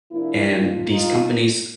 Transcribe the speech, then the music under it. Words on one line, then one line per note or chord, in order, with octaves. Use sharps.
em, these companies
C3 F3 A#3 D4 E4
D#4 F4
D#4 F4